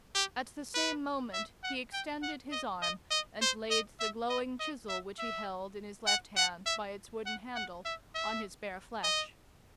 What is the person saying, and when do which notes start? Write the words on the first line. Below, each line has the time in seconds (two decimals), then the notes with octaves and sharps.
At the same moment he extended his arm, and laid the glowing chisel which he held in his left hand by its wooden handle on his bare flesh.
0.15 G4
0.74 B4
1.33 E5
1.63 F#5
1.93 G5
2.23 F#5
2.52 D#5
2.82 D#5
3.11 D#5
3.41 C5
3.70 D#5
4.00 E5
4.29 D#5
4.60 D#5
4.89 E5
5.19 E5
6.07 F#5
6.37 F#5
6.66 E5
7.26 F#5
7.56 F#5
7.85 E5
8.15 E5
9.04 D#5